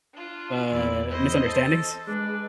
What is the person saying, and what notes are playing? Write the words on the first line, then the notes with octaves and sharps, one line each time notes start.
uh, misunderstandings?
D4 F4
E2 E4 D5
E4 C5 D#5
A4
G#3 D4 B4